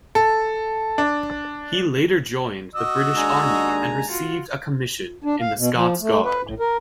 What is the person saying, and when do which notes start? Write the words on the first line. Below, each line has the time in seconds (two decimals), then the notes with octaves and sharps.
He later joined the British Army and received a commission in the Scots Guard.
0.15 A4
0.98 D4
2.75 F#4 D#5 E6
3.15 D#2 G#3 D4 G#5 A#5
4.10 F4 F#4
5.24 D4
5.41 F5
5.58 B2
5.75 F3
6.01 A3
6.25 B4
6.44 A2
6.60 A#4